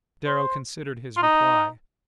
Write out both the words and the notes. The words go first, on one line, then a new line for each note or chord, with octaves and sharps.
Darrow considered his reply.
C5
F4
D#4